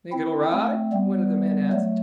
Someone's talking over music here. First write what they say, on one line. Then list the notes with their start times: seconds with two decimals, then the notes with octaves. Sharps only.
"Think it'll ride?" one of the men asked.
0.12 C4 E4
0.52 A3 C4
0.92 G3 B3
1.72 F#3 A3